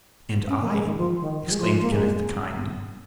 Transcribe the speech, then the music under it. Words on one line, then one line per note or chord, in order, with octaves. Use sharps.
"And I," exclaimed Kenneth the Kind.
C#4
A#3
G#3
D#3
F3
D#3
F3
G#3
F3
A#3
G#3